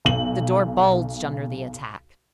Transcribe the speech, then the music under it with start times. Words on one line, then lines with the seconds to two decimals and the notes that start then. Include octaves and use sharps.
The door bulged under the attack.
0.05 B1 F#7